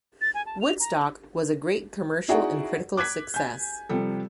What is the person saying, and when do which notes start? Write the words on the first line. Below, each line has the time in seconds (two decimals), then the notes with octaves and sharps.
"Woodstock" was a great commercial and critical success.
0.21 A6
0.34 G#5
0.46 A5
0.61 F7
0.80 A#5
2.28 D#4 E4 F#4 G#4 D5 F#5
2.97 D6 F#6 G#6 B6
3.34 G#5 G6
3.89 C3 F3 G3 A4